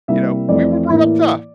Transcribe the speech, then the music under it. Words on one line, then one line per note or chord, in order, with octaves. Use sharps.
You know, we were brought up tough,
C3 G3 A#3 E4 E5
F2 E3 A3 C4 D5
A2 E3 A#3 E4